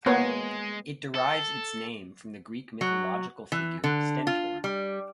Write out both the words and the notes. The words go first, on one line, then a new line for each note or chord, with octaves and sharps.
It derives its name from the Greek mythological figure Stentor.
G#3 A#3 B3 C#5
A4
F#3
E3
D3
F4
G3